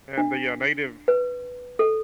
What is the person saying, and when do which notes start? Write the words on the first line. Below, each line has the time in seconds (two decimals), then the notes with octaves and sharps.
and the, uh, Native
0.18 D4
1.08 B4
1.79 A4